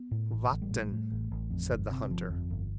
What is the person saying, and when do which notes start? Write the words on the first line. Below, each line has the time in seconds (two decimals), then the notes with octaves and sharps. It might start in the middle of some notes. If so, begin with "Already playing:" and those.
"Vatten," said the hunter.
Already playing: B3
0.11 A2
0.32 A1
0.51 A1
0.62 G3
0.71 A2
0.92 A2
1.12 A1
1.31 A1
1.51 F2
1.71 G1
1.91 C3
2.10 G1 F3
2.30 F2
2.50 G1